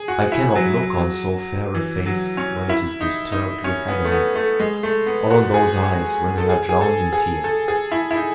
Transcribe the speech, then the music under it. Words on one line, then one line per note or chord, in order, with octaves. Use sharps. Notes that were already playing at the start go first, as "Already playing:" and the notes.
I cannot look on so fair a face while it is disturbed with agony, or on those eyes when they are drowned in tears.
Already playing: G#4
F#4
E4
F#3
E3
F#3
C#4
E4
D#4
D#4
C#4
B3
A3
B3
A3
G#3
A3
B3
F#4
G#4
A4
G#4
G#4
A4
G#4
A4
G#4
E4
E4
D#4